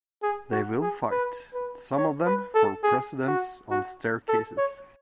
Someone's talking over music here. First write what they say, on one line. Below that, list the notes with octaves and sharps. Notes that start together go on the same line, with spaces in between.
They will fight, some of them, for precedence on staircases!
G#4
F#4
G#4
B4
B4
C#5
B4
A4
G#4
F#4
F#4
A4
C#5